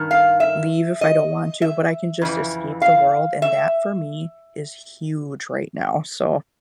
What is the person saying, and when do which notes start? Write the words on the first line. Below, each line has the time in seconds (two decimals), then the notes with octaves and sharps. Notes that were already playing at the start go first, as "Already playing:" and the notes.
leave if I don't want to, but I can just escape the world, and that for me is huge right now, so
Already playing: G2 D#3
0.11 F5
0.40 E5
1.01 D#5
1.62 E5
2.22 F2 C#3 E3
2.82 F5
3.42 E5